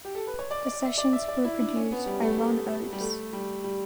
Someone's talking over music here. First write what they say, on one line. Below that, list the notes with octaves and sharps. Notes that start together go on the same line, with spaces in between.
The sessions were produced by Ron Oates.
G4
A4
B4
C#5
D5
D5
E5
D5
E5
D5
E4
D4
C#4
B3
G3
A3
A3
G3
A3
G3
G3